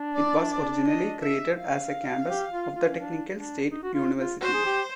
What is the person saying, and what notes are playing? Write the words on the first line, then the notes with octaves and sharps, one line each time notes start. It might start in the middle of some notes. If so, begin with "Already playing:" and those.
It was originally created as a campus of the Technical State University.
Already playing: D4
D5
D5
D#5
E5
F5
G4
F4
F4
C#4
D4
D4
D#4
F#4
F4
F4
F#4 C5
G#4
G4